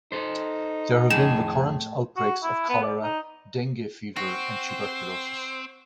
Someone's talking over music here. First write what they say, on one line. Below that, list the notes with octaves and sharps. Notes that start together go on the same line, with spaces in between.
There have been recurrent outbreaks of cholera, dengue fever, and tuberculosis.
D#4 A4 C5
F2 A2 G#4 E7
F#4
E4
B3
D5
D#4
C4 F#4 C5